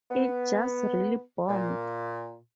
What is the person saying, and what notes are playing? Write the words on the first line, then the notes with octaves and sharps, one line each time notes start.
It just really bombed.
B3
A#2